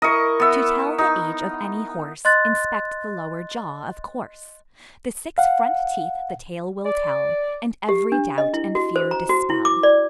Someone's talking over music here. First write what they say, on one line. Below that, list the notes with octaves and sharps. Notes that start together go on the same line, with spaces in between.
To tell the age of any horse, Inspect the lower jaw, of course; The six front teeth the tale will tell, And every doubt and fear dispel.
E4 A#4 D#5 C#6
B3 E5
D#4
D#5 C6 F#6 A6
F5 F#5
D5
G4
D4
D#5
E4
F#4
C5
A#5
F#4
E4
D6
D5